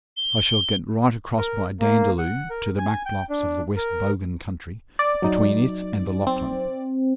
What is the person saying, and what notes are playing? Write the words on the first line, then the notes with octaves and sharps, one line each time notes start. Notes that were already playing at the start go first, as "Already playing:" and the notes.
I shall get right across by Dandaloo to the back blocks of the West Bogan country, between it and the Lachlan.
G7
A#4
A#3
F#5
A#4
G#5
G5
D4
A#4
D5
F#3 D#4
C4